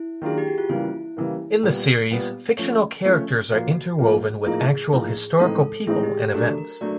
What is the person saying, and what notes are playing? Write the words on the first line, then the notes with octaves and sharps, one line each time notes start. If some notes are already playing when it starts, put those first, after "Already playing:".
In the series, fictional characters are interwoven with actual historical people and events.
Already playing: E4
D#3 F#3 A#3 D4 F4 G#4
G4
F#4
F4
C#3 E3 G3 A#3 E4
C#3 E3 G3 A#3
A#2 G3 B3
A#2 G3 B3
F3 A3 C#4
F3 A3 C#4
A#2 F3 A#3 F#4
A#2 F3 A#3
A2 F3 A#3 D#4 G#4
A2 F3 A#3 D#4
A2 E3 G#3 C4 D#4 A4
A2 E3 G#3 C4 D#4 G#4
G4
A4
F#3 A3 D4 A#4
A#4
F#3 A3 D4 D5